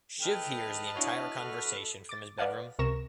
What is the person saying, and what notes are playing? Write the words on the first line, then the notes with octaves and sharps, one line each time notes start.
Shiv hears the entire conversation from his bedroom.
A4 B4 D#5 G5 A5 F6
D4 E4 F#4 C#5 E5
F#4 A4
D6 A6
B4 D5 D#5 F5 F#5 A5
C#2 C3 A#4 C#6 A#6 E7